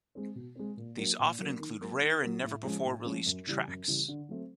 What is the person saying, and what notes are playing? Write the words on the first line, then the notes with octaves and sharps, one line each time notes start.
These often include rare and never-before-released tracks.
G#3 C4
B2
G#3 C4
A#2
F#3 A#3 D4
A#2
F#3 A#3 D4
D#3
F#3 A#3
D#3
F#3 A#3
A2
F3 G#3 C#4
A2
F3 G#3 C#4
F#2
C#3 E3 G3
F#2
C#3 E3 G3
D3
F#3 A3 C4